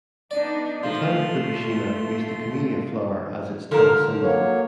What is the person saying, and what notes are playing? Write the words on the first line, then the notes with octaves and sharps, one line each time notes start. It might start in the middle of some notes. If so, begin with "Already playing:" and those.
The town of Fukushima used the Camellia flower as its town symbol.
B3 D4 D#4 D5
F3 A3 C6
D3 F3 A#4
F#3 A#3 C#5